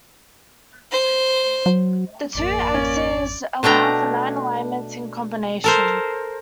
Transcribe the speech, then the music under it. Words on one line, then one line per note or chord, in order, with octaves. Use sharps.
The two axes allow for nine alignments in combination.
C5
F#3
G#1 F2 A#3 D5
C#4
B2 A3 D4 G5 A#5
A4 A#4 C5